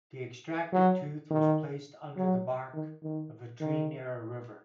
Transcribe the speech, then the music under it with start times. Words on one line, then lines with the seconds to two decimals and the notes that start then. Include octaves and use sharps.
The extracted tooth was placed under the bark of a tree near a river.
0.72 F#3
1.30 D#3
2.17 F#3
2.74 D#3
3.03 D#3
3.61 D#3